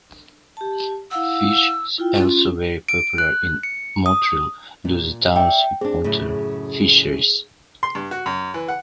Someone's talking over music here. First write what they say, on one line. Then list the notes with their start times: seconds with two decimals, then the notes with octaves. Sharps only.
Fish is also very popular in Motril, due the town's important fisheries.
0.57 G4 A5
1.11 E4 F5 F#5 E6
1.98 E4 F4 G5
2.15 C#4 F4
2.88 D7
3.18 F#6
3.63 C#7
4.06 D#6
4.85 A#2
5.36 D5 E5 G5
5.81 C4 D4 G#4
6.04 F#2 A2 C#3
7.83 C6
7.95 G2
8.11 F#4
8.26 F#2
8.54 E3
8.68 F#5